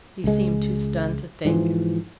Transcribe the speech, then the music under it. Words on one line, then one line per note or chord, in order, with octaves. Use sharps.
He seemed too stunned to think.
C#2 G#3
G#2 E3 F3